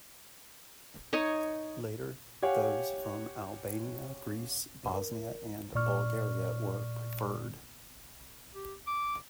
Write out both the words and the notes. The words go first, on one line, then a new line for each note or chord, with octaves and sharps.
Later, those from Albania, Greece, Bosnia, and Bulgaria were preferred.
D#4 C#5 D#5
G4 C#5 F5 F#5 G#5
A#4
A#2 D5 C#6 F6
G4
D6